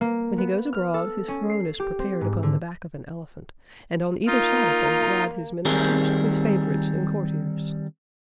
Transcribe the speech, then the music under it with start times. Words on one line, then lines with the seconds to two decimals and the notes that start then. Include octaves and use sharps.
When he goes abroad his throne is prepared upon the back of an elephant, and on either side of him ride his ministers, his favourites, and courtiers.
0.01 A#3
0.38 B3
0.73 F6
0.94 A4
1.28 C#4
1.50 C7
1.80 G4
1.99 C4
2.21 G#2
2.43 D3
4.27 A#3 D#4 F4
5.65 D#3 G3 C4 G#4 A#4